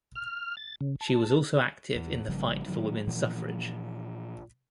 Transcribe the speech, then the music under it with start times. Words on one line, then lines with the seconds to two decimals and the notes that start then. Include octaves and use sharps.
She was also active in the fight for women's suffrage.
0.15 F6
0.57 A6
0.81 C#3
1.01 A5
1.95 E2
2.28 G#1 C#3 F3 G3
2.68 G#2 D#3 F#3
3.07 A#2 E3 F3